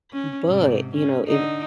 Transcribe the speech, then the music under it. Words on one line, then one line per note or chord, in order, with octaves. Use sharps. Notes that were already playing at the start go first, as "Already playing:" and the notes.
but, you know, if
C#4
G#2 C3
C#4
D3 D#4